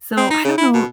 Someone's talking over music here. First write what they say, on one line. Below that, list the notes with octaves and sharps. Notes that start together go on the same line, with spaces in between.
So I don't know
C4
D#4
C#3
E4
B2